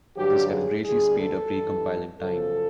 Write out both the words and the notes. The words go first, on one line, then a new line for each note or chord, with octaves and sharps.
This can greatly speed up recompiling time.
G2 D3 F#3 G4
G#4
D2 D3 G3 G#4
A4
G2 E3 G3
F#2 C#3 F3 A4